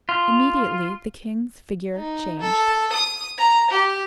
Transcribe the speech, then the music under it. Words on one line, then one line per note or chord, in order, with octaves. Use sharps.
Immediately the king's figure changed.
F4
D#4
A4
D#6
A#5
G4